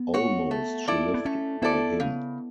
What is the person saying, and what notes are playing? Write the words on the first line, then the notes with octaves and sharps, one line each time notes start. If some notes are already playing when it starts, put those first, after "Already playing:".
Almost she lived by him.
Already playing: B3
F#4 C#5
A3
E4 A4 D5
B3
A3 C#4
B3 E4 A4 D5
C#3